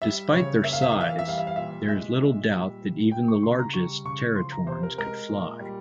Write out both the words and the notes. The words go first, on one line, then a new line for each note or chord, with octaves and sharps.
Despite their size, there is little doubt that even the largest teratorns could fly.
G3 E5
C#3 C#5
A#3 E5
F5
E5
E3 F5
E5
F5
E5
G3 F5
E5
F5
A#2 E5
G#3 E5
A#2
G3
A#2
G3 G5
C#6
C#3 C6
A#5
G3 C#6
C#3 C#6
F3 C6
A#5
C3 C5
A#4
G#3 A#4
A#2
G3